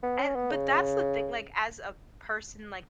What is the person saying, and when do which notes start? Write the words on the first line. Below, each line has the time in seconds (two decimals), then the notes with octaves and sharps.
And, but that's the thing, like, as a person, like,
0.03 B3
0.19 C#4
0.35 B3
0.52 C#3